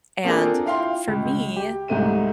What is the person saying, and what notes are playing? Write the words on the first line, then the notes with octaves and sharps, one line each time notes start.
and for me,
A#3 C4 D4 F4 G#4 A4
E4 F4 F5 G5 C6
C#2
C#2
G4
C2 G#2 C3 A3 C4 D#7